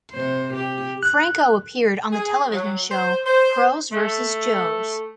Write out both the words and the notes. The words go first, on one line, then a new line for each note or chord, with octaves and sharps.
Franco appeared on the television show "Pros versus Joes".
C3 C5
G4
F#6
G#4
F#3
C5
C5
A3